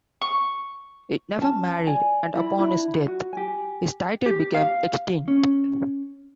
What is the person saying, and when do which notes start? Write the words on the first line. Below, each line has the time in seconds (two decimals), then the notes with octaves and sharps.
He never married, and upon his death, his title became extinct.
0.22 C#6
1.38 C#4 A5
1.87 D5 G#5
2.34 E4 D5 B5
2.59 D4 E4 B5
3.08 F#4
3.33 G4 G#5
4.26 G4
4.55 F5
5.28 C#4